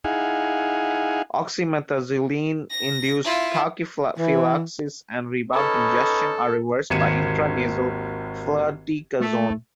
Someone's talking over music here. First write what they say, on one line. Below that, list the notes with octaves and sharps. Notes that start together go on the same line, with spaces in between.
Oxymetazoline-induced tachyphylaxis and rebound congestion are reversed by intranasal fluticasone.
D#4 E4 G#4 F5 F#5 G#5
A#6
E4 F4
E3
C#4 D#4 A4 B4
G#1 D#2 G#6 C#7 D#7 E7
A3